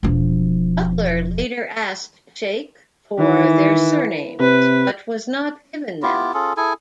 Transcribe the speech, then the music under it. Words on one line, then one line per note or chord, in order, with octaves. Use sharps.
Butler later asked Shaikh for their surnames, but was not given them.
E1 F3
D#3 E3
C3 B4
B3 E4 F4 G4
C#4 F4 G#4 A4
E4 G#4 A4 G#5